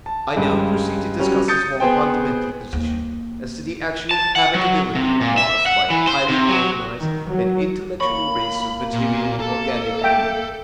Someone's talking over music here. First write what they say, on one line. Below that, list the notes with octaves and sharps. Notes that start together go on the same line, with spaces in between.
I now proceed to discuss his more fundamental position as to the actual habitability of Mars by a highly organised and intellectual race of material organic beings.
A5
G2 C#3 G#3
F#3 G3 C#4
D#6 G6 A6 C#7
B3 G#4 C5 G5
D#2
A5
F#5
F#3
C3
A#2
E5
F#5
E3
C5
C3
F#3
D#3
F#3
A#3 C#5 B5 C#6
A#2
A4
E5 G5